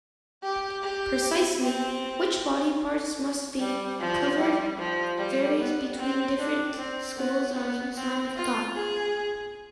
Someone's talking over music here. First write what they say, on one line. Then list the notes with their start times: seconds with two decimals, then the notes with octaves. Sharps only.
Precisely which body parts must be covered varies between different schools of Islamic thought.
0.43 G4
0.83 G4
1.61 C4
3.59 G3
4.00 F3
4.39 G3
4.78 F3
5.18 G3
5.59 B3
5.98 C4
6.38 D4
6.77 C4
7.17 B3
7.56 B3
7.96 C4
8.36 F4
8.76 G#4